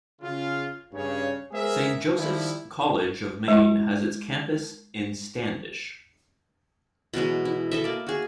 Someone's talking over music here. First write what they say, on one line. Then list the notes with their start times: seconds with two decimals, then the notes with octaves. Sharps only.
Saint Joseph's College of Maine has its campus in Standish.
0.21 C#3 F4
0.92 G2 C#3 C#5
1.52 G#3 B3 G#4 A#4 C5 E5
2.16 D#3 F3 G3 E4
3.48 G#3 E4
7.14 B2 E3 F#3 G#3
7.45 E4
7.71 A4 D#5 E5
7.84 A#3 D5
8.07 F#4 G#4